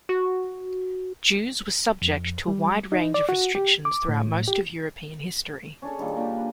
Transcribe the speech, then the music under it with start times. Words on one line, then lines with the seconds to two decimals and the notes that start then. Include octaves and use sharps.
Jews were subject to a wide range of restrictions throughout most of European history.
0.09 F#4
2.02 F2
2.48 G3
2.92 D#4
3.14 D5
3.29 F#4
3.55 G4
3.85 D6
4.09 A2
4.48 G4
5.82 C#4 D4 G#4 A4
5.99 A#2 D#3 G3
6.17 A#2 D4 G4
6.37 B4